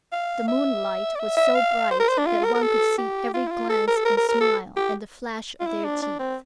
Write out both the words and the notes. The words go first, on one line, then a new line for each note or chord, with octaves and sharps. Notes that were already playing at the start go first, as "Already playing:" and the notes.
The moonlight was so bright that one could see every glance and smile, and the flash of their teeth.
F5
E5
D5
E5
E5
F5
C5
A#4
C5
D4
F4
A#4
A#4
A4
G4
F4
E4
F4
A4
A#4
A4
A#4
A#4
A#4
A4
G4
F4
E4
D4
D4
C4